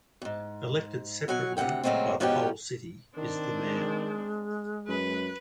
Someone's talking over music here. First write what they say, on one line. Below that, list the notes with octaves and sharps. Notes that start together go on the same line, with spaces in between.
Elected separately, by the whole city, is the mayor.
F2 G#2
B2 F#3 F#5 G#5
D2 C3 A#3 F#5 G5
A#2 C#3 F#3 G#3 A3 C4
G#2 B2 F3 C#4 F4 G4
D#3 C4 D4
G#3
F#2 B4